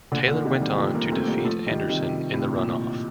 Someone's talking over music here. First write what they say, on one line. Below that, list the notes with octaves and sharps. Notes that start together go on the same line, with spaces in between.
Taylor went on to defeat Anderson in the runoff.
A#2 D3
A#2 D3
C3 D#3
D#3 G3
F3 A3
G3 A#3
A3 C4
G3 A#3
F3 A3
D#3 G3
C3 D#3
A2 C3
A#2